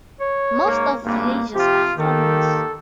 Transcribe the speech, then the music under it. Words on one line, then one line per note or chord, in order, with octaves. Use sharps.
Most of villagers are farmers.
C#5
G#2 A#3
G#1 G2 A#3
C3 F3 F4 G4
D#3 A#3 G4 A4